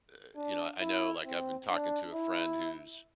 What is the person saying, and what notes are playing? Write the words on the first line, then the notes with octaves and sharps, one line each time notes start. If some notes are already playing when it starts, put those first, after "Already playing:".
uh, you know, I know, like, I've been talking to a friend who's
D4
E4
C4
D4
E4